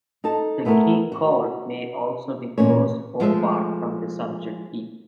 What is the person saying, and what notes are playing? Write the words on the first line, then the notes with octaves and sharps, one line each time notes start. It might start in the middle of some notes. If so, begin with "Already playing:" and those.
The key col may also be close or far from the subject peak.
D#4 A4 A5
A3 B3 E4 A4 A#4
F#4
A#2 E3 A#3 C#4 C#5
F3 G#3 A3 C5 E5